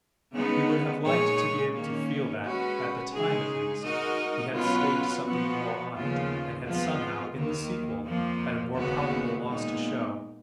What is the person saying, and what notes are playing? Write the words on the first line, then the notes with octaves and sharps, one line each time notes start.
He would have liked to be able to feel that, at the time at least, he had staked something more on it, and had somehow, in the sequel, had a more palpable loss to show.
C#3 G#3 B3 D#4
A#2 G#3 D#4 G#4 C#5
D#3 A#3 C#4
G#3 C#4 F#4 B4
C#3 G#3 D#4 G#4
G#3 D#4 F#4 A#4 D#5
B2 F#3 C#4 F4 B4
F3 B3 F#4
D#2 C#3 F3 B3 F4
F2 F3 G#3 B3 F4
D#2 D#3 A#3
F2 F3 A#3
D#2 C#3 G#3 B3 F#4
A#2 G#3 B3 D#4